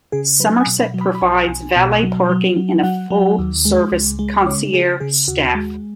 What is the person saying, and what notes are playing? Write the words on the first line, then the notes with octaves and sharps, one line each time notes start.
Somerset provides valet parking and a full-service concierge staff.
C#3 G#4
F#3 B4
G#5
B2
B5
F#3
B5
B5
B1 G#5
B1
B2
F#3
F#3
F#3
F#3 F#5
F#3
D#2
G#3
C#2
G#3
C#3 C#5
C#3 G#4
C#3 G#4
D#2 F#4
G#3